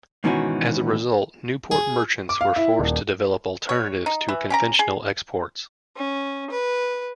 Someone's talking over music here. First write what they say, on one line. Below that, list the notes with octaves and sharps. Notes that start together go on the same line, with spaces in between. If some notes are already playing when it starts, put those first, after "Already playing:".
As a result, Newport merchants were forced to develop alternatives to conventional exports.
G#2 B2 D#3 E3 C#4 F#4
G#4
D6
F5
E4
D#1
C#5
D#4
E3
C#4 G4 A#5
G#4
C#4
B4